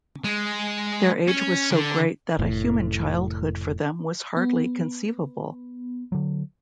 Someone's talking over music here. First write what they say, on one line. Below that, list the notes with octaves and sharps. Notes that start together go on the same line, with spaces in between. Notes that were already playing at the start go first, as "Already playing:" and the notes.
Their age was so great that a human childhood for them was hardly conceivable.
G#3
C#4
D3
F1 A2
B3
D3 F#3